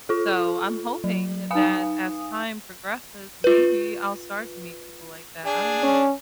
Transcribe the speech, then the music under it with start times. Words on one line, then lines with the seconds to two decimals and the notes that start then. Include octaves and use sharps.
So I'm hoping that as time progresses, maybe I'll start to meet people like that. I don't know.
0.09 F4 A4
1.04 F#3
1.51 D#4 B4 F5 G#5 B5 D#6
3.44 F4 B4
5.46 D4 G#4
5.83 C#4